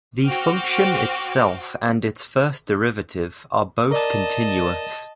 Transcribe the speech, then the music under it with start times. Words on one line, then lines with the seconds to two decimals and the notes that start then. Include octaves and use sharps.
The function itself and its first derivative are both continuous.
0.24 F#4 C5 G5 D6 F6
3.91 A#4 D5 D#5 A5